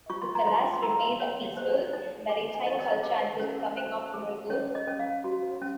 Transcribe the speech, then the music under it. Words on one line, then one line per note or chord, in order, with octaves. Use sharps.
The Falas remained a peaceful maritime culture until the coming of Morgoth.
F4 C#6
C6
A#5
F4 C6
C6
A#4 A#5
C#5
C5
D#4
G#4 G#5
G#5
D#4
D#5
G#4 D#5
C#4
C5
G#4
C#4 C#5
D#5
C#4
F5
F#4
C#4